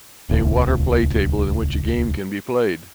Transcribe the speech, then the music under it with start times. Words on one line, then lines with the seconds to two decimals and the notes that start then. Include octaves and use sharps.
A water play table in which a game can be played.
0.29 D#1 C#2